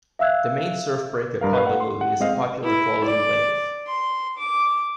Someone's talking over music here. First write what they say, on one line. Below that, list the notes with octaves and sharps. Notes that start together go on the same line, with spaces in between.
The main surf break at Pondalowie is a popular quality wave.
E5 F5 E6 F#6 G#6
G2 A#4 F5
B4 F5
F#5
C6
F#5
G#3 C4 D#5 F5
E4
D5
C6
D6